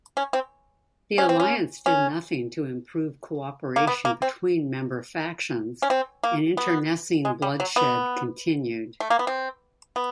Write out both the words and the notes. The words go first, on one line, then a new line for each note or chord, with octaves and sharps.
The alliance did nothing to improve cooperation between member factions, and internecine bloodshed continued.
C#4
C4
C#4
C4
C#4
C#4
A#3
B3
A#3
C4
C#4
C4
A#3
B3
G#3
G3
F#3
B3
A3
A#3
B3
C4
B3